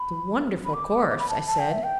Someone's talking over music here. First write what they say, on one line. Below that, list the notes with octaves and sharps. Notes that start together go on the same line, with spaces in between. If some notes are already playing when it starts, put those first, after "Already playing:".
"It's a wonderful course," I said.
Already playing: B5
B5
D6
D6
B5
A5
A5
G5
E5
G5